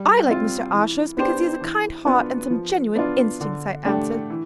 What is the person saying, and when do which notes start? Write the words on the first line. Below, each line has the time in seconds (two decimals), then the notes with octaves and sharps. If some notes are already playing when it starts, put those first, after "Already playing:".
'I like Mr. Ashurst because he has a kind heart and some genuine instincts,' I answered.
Already playing: G3
0.28 C4 F4
0.73 E3
1.17 B3 D4 G4 C5
1.61 E3
2.06 B3 D4 F4 B4
2.50 F3
2.95 B3 D4 F4
3.41 D3
3.85 A3 D4 G4
4.30 E3